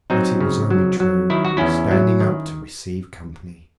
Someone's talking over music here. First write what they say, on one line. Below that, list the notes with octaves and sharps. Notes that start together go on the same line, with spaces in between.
But it was only True, standing up to receive company.
F#3 C4 D#4
C#3
F#3
F#3
D#3 E4
F#4
E2 C#4 E4
F#3
D#3